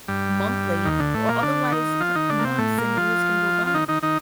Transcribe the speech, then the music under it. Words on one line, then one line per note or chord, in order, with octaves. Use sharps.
monthly, o otherwise fr months and years can go by.
G2 G3
D#2 D#3
D2 D3
A2 A3
A#2 A#3
D3 D4
D#3 D#4
F3 F4
D#3 D#4
D3 D4
A#3
C3 C4
A2 A3
A#2 A#3
F3 F4
F4
D#3 D#4
D#3 D#4
D#3 D#4